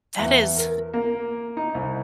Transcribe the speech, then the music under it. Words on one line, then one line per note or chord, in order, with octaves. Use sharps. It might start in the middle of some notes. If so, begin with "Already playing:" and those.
That is
E2
A#4
A#3
D#4
C2